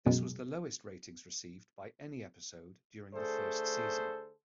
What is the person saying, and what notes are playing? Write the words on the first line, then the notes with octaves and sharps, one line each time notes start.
This was the lowest ratings received by any episode during the first season.
F#2 B2 F#3 G#3
D3 A3 G#4 A4 C5